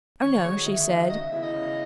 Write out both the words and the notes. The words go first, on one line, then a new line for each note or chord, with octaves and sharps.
"Oh no," she said.
D#3 C#5
G#3 D#4 F#4 C#5
D#3 E5
G#3 D#4 F#4
C#3 D#5
E5
E3 G#3 B3 E4 E5
D#5
C#3